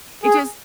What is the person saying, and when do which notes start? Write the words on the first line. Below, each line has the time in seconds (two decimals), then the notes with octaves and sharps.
it just
0.23 G#4